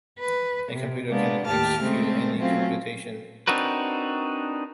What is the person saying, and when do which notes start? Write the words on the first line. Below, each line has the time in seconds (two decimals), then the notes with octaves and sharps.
A computer can execute any computation.
0.20 B4
0.71 C3
1.08 C3 G#3 A#3 B3 D4
1.47 D#2 A2 G4 A5 F6
1.81 C#3 G#3 A3 C4
2.38 F#3 A3 C4 C#4 F4
3.47 C4 D4 D#4 F#4 A#4 B4